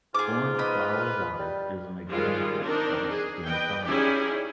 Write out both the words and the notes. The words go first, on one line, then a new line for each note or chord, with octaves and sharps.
Orange flower water is an example of a skin tonic.
G#2 F4 G#4 D6
B4 D#5 B5
G3
D#3 F3 G3 G#3 F4
D#3 C4 D4 D#4 A#4
G#4
B4 D#5 G5
C#4 D#4 E4 G4 G#4 D5